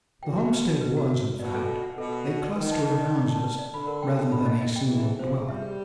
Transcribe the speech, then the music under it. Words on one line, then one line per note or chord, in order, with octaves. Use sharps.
The homestead was, in fact, a cluster of houses rather than a single dwelling.
B2 G5
F#4
B4
F#4
B4
F#4
F#4
B4
B2 D5
A4
F4
F#5
B2 A4
F#5
F4
D5
D#3 B4
A5
A5
D5
D5
A5
B4
D5
D3 B5
A#4
G5
G5
B5
D#5
D#5
G5
E3 G#4
G#4
F3 C5
G#4
G3 E5
G#4